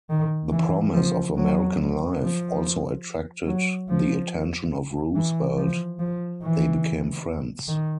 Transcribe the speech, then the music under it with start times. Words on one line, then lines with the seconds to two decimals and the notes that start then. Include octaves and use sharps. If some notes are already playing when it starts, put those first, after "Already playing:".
"The Promise of American Life" also attracted the attention of Roosevelt; they became friends.
0.10 D#3
0.52 E3
0.94 F3
1.36 F#3
2.21 F3
3.47 F#3
3.89 F3
5.15 E3
5.57 F3
5.99 F3
6.42 E3
7.68 D#3